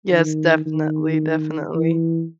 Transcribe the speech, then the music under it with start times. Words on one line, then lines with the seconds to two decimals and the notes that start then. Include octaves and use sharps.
Yes, definitely, definitely.
0.12 D#3
0.66 D#3
1.75 E3